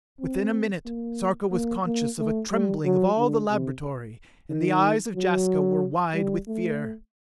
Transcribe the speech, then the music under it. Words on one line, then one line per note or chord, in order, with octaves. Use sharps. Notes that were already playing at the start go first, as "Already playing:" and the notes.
Within a minute, Sarka was conscious of a trembling of all the laboratory, and the eyes of Jaska were wide with fear.
C4
A#3
A#3
A#3
A3
G3
F#3
D3
C3
D#3
F#3
G3
A3